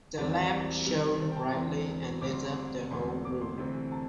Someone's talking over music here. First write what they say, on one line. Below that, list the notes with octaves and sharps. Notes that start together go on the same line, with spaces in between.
The lamp shone brightly and lit up the whole room.
E1 E2 E3 G3 C4 D5
D5
C2 C3 G3 C4
C5
G5
A5
E1 E2 E3 C4 C6
D2 D3 G3 C4 D6
C6
C6
E1 E2 D3 A3 C4 C6
D6
C6
D2 C3 E3 A3 C4
A5